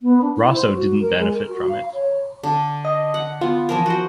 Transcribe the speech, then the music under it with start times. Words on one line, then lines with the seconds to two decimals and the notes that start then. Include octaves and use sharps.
Rosso didn’t benefit from it.
0.02 B3
0.21 D4
0.37 E4
0.54 C5
0.69 F#4
1.00 A#4
1.19 G#3
1.32 A#4
1.48 F#4
1.69 F5
1.93 C#5
2.43 D3
2.85 D#5
3.14 F#5
3.41 B3 F4
3.69 E3 F3 A#4
3.86 F#4 C5